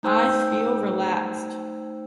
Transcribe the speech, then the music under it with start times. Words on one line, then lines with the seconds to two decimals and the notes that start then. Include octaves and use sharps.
I feel relaxed.
0.03 A3 D#4 C5 G5 E6 G6